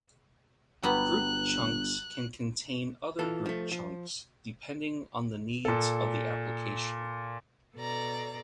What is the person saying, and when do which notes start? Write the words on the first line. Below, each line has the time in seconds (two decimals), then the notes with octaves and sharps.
Group chunks can contain other group chunks, depending on the needs of the application.
0.83 G1 F#3 G3 B3 F#6
3.19 E3 F4 A4
3.46 F3 A3
3.72 F3
5.65 A#2 A4
7.76 B2 A4 D5 A#5